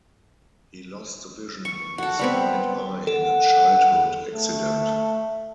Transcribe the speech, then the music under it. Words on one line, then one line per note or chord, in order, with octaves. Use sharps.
He lost the vision in his right eye in a childhood accident.
C#6
F#4 A4
G3 B3 C4
A4 F#5
A3